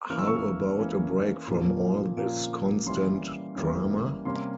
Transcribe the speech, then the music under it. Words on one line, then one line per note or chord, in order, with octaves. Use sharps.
How about a break from all this constant drama?
E3 A#3 C#4 F6
E6
C#6
E6
E3 A#3 C#4
A#2 F3 A#3 C#4
A#2 F3 A#3 C#4
E3 G3 A#3 C#4 C6
E3 G3 A#3 C#4
C3 G3 A#3 C#4 C6